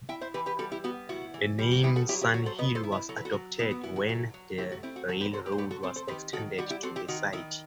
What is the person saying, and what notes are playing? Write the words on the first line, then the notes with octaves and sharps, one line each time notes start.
The name Sun Hill was adopted when the railroad was extended to the site.
E4 E5 G5
C5 E5
E3 G4 B4
G4 B4
G3 F#4 A4
E4 G4
B3 F#4
E4 F#4
E3
G3
F#4
B3 E4 G4
F#4 A4
F#3 E4 G4
E4 G4
F#3 F#4
A4 C5
B3 B4 D#5
A4 C5
E4
B4 D#5
F#3 A4
B4
F#4 A4
F#3
B3 E4
F#4
E4 F#4
F#4
F#3 F#4 A4
F#3
A3 E4 G4
F#4
C4 E4
F#4
F#3 F#4 A4
G4 B4
F#3 A4 C5
G4 B4
C5
A3 G4 B4
F#4 A4
C4 A4 C5
A4 C5
D#3 G4 B4
D#3 F#4 A4
G3 F#4
E4 G4
C4 F#4 A4
E4 G4
D#3 F#4
D#3 E4